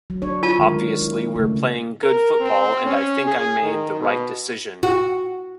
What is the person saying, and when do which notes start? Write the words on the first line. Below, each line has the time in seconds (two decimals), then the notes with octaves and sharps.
Obviously we're playing good football and I think I made the right decision.
0.10 F#3
0.22 D4 C#5
0.43 F4 A5
0.59 D#3 G#3 A#4
1.01 E4
1.36 C#3 A3
2.03 A#4
2.40 C4
2.86 C#4
3.27 G#4
3.63 D#3
4.00 B2
4.83 F#4